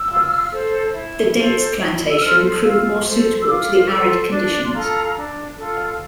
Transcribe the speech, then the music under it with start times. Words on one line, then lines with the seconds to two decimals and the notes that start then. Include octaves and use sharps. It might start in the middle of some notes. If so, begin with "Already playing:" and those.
The dates plantation proved more suitable to the arid conditions.
Already playing: E6
0.09 F4
0.51 A4 C5
0.94 E4
1.36 A4 C5
1.78 E4
2.09 E6
2.20 A4 C5 F6
2.62 F4 E6
3.04 A4 C5
3.42 E6
3.47 F4 D6
3.88 A4 C5 E6
4.31 D4 D6
4.63 C6
4.73 F4 A4 A#5
5.15 D4
5.58 F4 A4